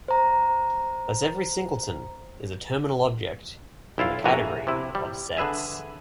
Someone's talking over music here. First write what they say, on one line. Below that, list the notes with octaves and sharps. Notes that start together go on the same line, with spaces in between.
Thus every singleton is a terminal object in the category of sets.
C5 A#5
B1 E4 F4 F5
A#1 E2 E3 F#4 G#5 A#5
C3 E4
G3
D3 G#4 B4 E5 G#5